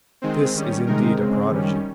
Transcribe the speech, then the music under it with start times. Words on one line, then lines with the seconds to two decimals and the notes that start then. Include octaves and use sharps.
This is indeed a prodigy.
0.22 D#3 G#3 C4
0.55 D#3 G3 C#4
0.86 C3 D#3 G#3 D#4 A#4
1.18 C#3 G#3 C4
1.50 D#3 G3 C#4